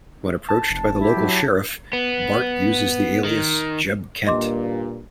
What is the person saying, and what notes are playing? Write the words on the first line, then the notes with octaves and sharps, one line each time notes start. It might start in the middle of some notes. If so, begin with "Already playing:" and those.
When approached by the local sheriff, Bart uses the alias "Jeb Kent".
A5
F1
E4 G4
F#3
B3
D#3
G2 A#2 D#5 C6 D6